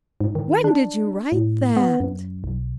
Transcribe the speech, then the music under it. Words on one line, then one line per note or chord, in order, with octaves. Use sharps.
"When did you write that?"
G#2
D#3
D4
A2
B3
F#2
B1